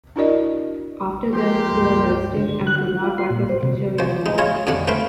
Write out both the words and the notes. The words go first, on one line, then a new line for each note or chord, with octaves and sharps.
After that he was arrested and could not work as a teacher anymore.
D4 E4 F#4 A#4 D5 D#5
F3 A#3 G4 A#4 G5 C6
C#2 G2 G3
D3
F#6
F#4
F4
C6
A#2
C5
C3
C2 C5
G#3 D#4
G#3 C#4 E4 F4 C#5
F2 D3 G3 F#5
A3 C4 B4 F5 G5